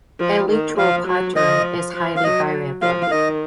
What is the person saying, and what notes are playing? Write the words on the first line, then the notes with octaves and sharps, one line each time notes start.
Elytral pattern is highly variable.
F3
D#3
F3 F5
F#3
F3 D#5
F3
F5
F#3 D#5
F3 F5
F5
D#3 D#5